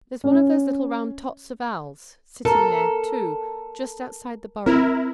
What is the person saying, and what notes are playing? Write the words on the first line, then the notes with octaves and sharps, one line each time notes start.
There's one of those little round tots of owls sitting there too just outside the burrow.
C#4
A4 A#4
C4 E4 A#4